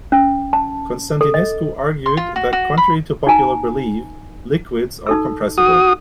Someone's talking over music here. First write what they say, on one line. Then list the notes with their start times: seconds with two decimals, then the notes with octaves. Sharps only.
Constantinescu argued that, contrary to popular belief, liquids are compressible.
0.12 C#4
0.53 A5
1.21 A4
1.34 D#5
2.06 C6
2.17 F4
2.36 F#4
2.53 F#4
2.77 B5
3.27 D#4 G#5 A#5
5.07 D#4 A4 E6
5.58 F#4 D#6